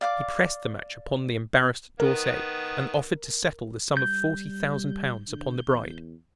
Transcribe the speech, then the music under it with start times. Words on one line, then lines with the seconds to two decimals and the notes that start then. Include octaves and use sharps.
He pressed the match upon the embarrassed D'Orsay, and offered to settle the sum of forty thousand pounds upon the bride.
0.01 D5 F5 D6
2.00 D#3 B3 A#4
3.97 G3 G6
5.29 D3
5.68 E2